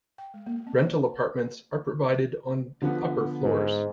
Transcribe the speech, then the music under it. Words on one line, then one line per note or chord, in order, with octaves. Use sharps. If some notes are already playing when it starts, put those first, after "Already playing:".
Rental apartments are provided on the upper floors.
G5
G#3
A#3
C4
C#5
D3 F3 B3
G#2